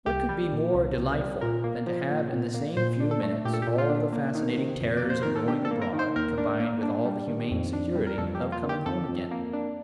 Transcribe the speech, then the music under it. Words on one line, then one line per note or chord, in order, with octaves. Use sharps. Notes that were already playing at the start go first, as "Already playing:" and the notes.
What could be more delightful than to have in the same few minutes all the fascinating terrors of going abroad combined with all the humane security of coming home again?
C2 G4
G3
A#2
C2
C2
G3
A#2 A#4
A#3
F3
A#2
A#2
A#3
A#2 C5
D4
A4
A3
A#2 G4
A4
G4
A#2
F4
D4
A#3
D#3
C3
F2
A#3 D5
C5
D#3 A#4
A4
D4 G4
A4
A#3
A#4
D#3
C5
D#2 A#4
D4
A#3
D4
G3
D#3
F2
D4
G3
A#4
F2 A4
G4
A#3
F4
D#3
G4
F2 A4
F2
A#3
D4